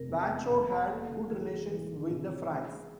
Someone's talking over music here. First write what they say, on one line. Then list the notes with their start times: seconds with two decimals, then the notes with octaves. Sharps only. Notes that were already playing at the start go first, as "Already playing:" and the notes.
Wacho had good relations with the Franks.
Already playing: F1 C3 A#4
0.09 E2
0.50 F1
0.90 A#3 A4
1.30 E3 G#4
1.70 E3
2.11 C3
2.51 G#3